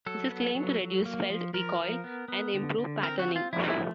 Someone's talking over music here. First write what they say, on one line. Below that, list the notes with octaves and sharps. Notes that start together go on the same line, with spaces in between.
This is claimed to reduce felt recoil and improve patterning.
F#3 A4
B3
F#3
F#3
A#3
F3
F3 A#4
F3
B3
B3
D3
D3
C4 A#4
F#4
C4
F4
F3 E4
D#4
E4
A3